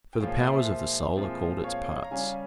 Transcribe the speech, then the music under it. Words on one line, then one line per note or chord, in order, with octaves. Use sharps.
For the powers of the soul are called its parts.
G5
A#2 F3 G#3 C#5 F5
C5 E5
A#2 F3 G#3 C4
C#5 F5
A#5
C#3 G3 C#4 F5 G#5